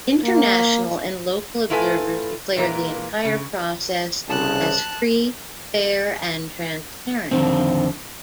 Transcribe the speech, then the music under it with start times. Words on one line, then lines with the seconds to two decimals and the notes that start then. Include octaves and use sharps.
International and local observers declared the entire process as free, fair, and transparent.
0.24 A#3
1.70 A2 E4 F4 A4 B4 G#5
2.57 A#2 E3 G#3 A#3
3.25 C#3
4.28 C2 C#3 A5 F#6
7.31 F2 D3 D#3 C4